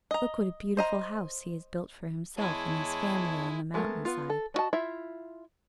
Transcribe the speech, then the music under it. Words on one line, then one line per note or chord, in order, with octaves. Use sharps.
Look what a beautiful house he has built for himself and his family on the mountain-side.
D#5 A#5
C5 D#5 A#5
E2 G#3 E4 C#5 A5
G#3 A3 B3 A4 A#4
B3 F4
A4
D4 F#4 D#5 A5
E4 F4 E5